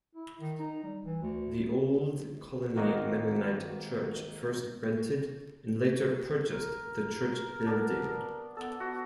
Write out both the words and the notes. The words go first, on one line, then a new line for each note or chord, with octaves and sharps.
The Old Colony Mennonite Church first rented, and later purchased the church building.
E4
D#3
D#4
G3
E3
D2
G#1 D#3 A#3 F#4 A#4 D#5
A#4
B3 D4
B3 A4
B3 F#4